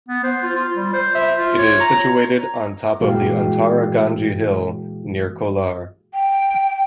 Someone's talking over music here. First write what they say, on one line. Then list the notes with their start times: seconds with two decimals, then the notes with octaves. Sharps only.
It is situated on top of the Antara Gange hill near Kolar.
0.09 B3
0.24 C5
0.43 F4
0.55 F4
0.76 G3
0.93 C5
1.15 E5
1.36 F4
1.58 C#5
1.80 A#5
3.00 A#2 E3 G#3 F#4 G4 F5
6.13 G5